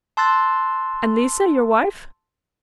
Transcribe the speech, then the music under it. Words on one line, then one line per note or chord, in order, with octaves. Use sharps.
"And Lise, your wife?"
A5 C6 E6 F#6 A6